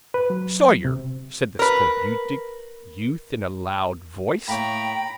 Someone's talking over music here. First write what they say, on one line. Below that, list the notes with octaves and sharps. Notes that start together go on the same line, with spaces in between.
'Sawyer,' said the scorbutic youth, in a loud voice.
B4
F#3
C3
A#4 B4
A2 A#3 C#5 G5 A#5 B5